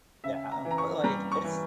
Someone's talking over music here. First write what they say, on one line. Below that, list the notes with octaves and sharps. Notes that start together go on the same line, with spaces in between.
Yeah, but, like, it's
C#3 E5
A#5
E3
A#5
C#6
G3 A#5
C#6
E3